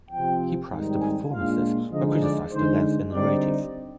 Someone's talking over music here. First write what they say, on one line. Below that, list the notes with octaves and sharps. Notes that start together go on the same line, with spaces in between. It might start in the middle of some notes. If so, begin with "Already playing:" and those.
He praised the performances but criticised the length and narrative.
C3 F3 C4 G5
G#2 D#3 G3 C4 D#4
G#5
A#2 G#3 D4 F4 F5
D3 F3 G#3 D#4 D#5
D5
D3 G#3 D#4 C5
D3 G3 C4 D#4 D5